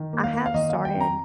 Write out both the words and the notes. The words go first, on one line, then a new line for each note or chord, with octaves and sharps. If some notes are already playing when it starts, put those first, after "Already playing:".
I have started
Already playing: D#3
A#3
F5
A#3
F5
D#3 D#5
D#3 F5
G5
F2
A#5